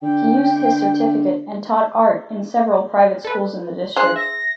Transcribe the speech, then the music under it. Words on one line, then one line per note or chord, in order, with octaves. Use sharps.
He used his certificate and taught art in several private schools in the district.
D3 G5
A4 B4
D4 G#4 C5 F5 F#6
E5 A#6